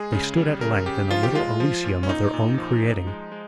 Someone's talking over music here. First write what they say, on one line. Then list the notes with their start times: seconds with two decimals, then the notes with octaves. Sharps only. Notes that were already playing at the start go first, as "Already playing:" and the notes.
They stood at length in a little Elysium of their own creating.
Already playing: G#3 G#4
0.12 C#3
0.37 G3
0.61 C#3 A#4
0.86 C#3 G4
1.11 F3 F4
1.23 G4
1.35 G#3 F4
1.60 F3
1.84 A#2
2.03 C#4
2.09 A#2 D#4
2.34 A#2
2.58 F3
2.83 F3
3.07 G#3
3.32 G#3